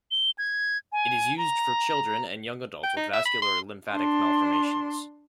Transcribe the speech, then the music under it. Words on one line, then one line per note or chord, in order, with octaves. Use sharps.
It is used for children and young adults with vascular or lymphatic malformations.
G7
G#6
G#5
A#5
G5
D#4
E5
B5
C6
D4 C6